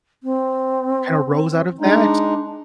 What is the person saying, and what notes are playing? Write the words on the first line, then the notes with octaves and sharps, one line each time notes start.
kinda rose out of that,
C4
G#3 D4 D#4